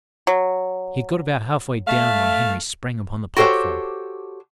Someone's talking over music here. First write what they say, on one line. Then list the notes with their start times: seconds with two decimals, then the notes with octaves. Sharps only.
He had got about half-way down, when Henry sprang upon the platform.
0.27 F#3
1.88 A3 F5
3.36 F#4 G4 A4 C5 C#5